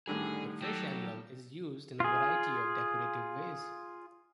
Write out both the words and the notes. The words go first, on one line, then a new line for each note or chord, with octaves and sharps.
The fish emblem is used in a variety of decorative ways.
A2 D3 D#3 G3 G#4
F#3 G4 A4
F4 G#4